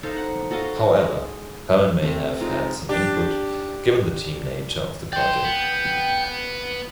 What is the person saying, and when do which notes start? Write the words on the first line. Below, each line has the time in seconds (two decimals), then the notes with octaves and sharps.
However, Herman may have had some input, given the team nature of the project.
0.03 D#4 A4 C5 F5
0.16 F#5
0.51 F#4 A4 D#5 F5
0.96 G#3
2.02 C3 A3 C4
2.41 G#3 D#4 F4
2.89 D4 G4
5.13 D5 G5 C6
5.44 B3